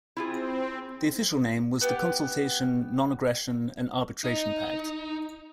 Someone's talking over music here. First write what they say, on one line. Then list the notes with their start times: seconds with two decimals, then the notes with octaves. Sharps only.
The official name was the Consultation, Non-Aggression and Arbitration Pact.
0.17 C4 E4 F4 G#4
1.81 B3 G4
4.24 D#4